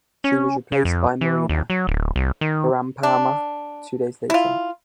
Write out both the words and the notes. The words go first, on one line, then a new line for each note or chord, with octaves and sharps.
She was replaced by Marina Barampama two days later.
C#4
C#3
F2
E3
D#2
F#3
D1
C2
D#3
D4
E4 F4